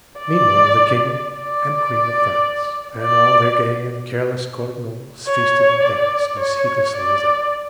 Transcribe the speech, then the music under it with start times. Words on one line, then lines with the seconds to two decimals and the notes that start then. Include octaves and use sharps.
Meanwhile the king and queen of France and all their gay and careless court of nobles feasted and danced as heedlessly as ever.
0.19 D5
1.33 D5
3.02 D5
5.27 C#5
5.83 D5
6.40 C#5
6.96 D5